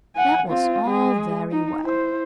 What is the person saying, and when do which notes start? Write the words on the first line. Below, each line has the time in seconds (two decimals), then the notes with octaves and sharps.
That was all very well.
0.16 F#5 G#5
0.49 C4 F4
0.86 G#3 G#4
1.51 D#4
1.83 E4 C5